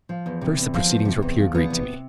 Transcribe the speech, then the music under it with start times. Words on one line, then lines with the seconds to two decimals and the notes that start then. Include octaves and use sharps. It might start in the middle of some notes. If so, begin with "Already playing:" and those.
At first the proceedings were pure Greek to me.
0.09 F3
0.26 E2
0.41 C3
0.57 E2
0.74 F3
0.90 E2
1.05 C3
1.22 E2
1.38 F3
1.55 E2 B3
1.70 C3